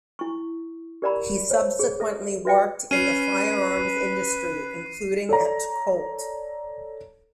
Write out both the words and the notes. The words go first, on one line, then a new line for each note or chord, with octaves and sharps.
He subsequently worked in the firearms industry, including at Colt.
E4 C#6
G4 A#4 D5 F#5 A#5 B5
C5 C#5 A#5
G#4
A4 E5
F#4 B4 E5 F#5 G5
C#4 B4 C7 D#7
A4 C#5 D5 A#5